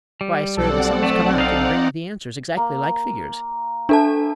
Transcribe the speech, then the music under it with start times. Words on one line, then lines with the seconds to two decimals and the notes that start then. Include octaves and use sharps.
Why, sir, the sums come out, and bring the answers exactly like figures.
0.21 G3
0.56 B1 C4 A4 D5 F#5
1.03 A3
1.38 D#4 F5
2.57 A#3
3.89 D4 A4 E5 A5